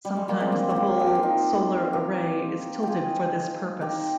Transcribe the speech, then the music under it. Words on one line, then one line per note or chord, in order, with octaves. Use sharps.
Sometimes the whole solar array is tilted for this purpose.
G3
G#3
G3 A#3
G#3 C4
A#3 D4
G4
D4 F4
G#4
G4
F4
D#4 G4
G4 A#4
F4 G4 G#4
D#4 G4